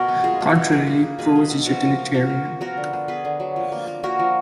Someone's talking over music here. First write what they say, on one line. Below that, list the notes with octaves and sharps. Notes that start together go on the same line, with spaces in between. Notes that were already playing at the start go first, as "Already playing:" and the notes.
Contrarily, prose is utilitarian.
Already playing: B2 F#4 A#4
B3
G#3 F4 G#4
B2
G#3
A#3 G#4 B4
A#3
A#3
B2 G#4 B4
B2
B2
F3 F#4 A#4
F3
A#3
A#3 F#4 A#4
F3
F3
B3 F#4 A#4
D3
D3
B3 G#4 B4
D3
F#3
F3
A#3
A#3
A#3 F#4 A#4
F3